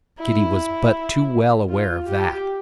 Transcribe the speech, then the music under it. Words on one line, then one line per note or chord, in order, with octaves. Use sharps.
Kitty was but too well aware of that.
E4
F4
G4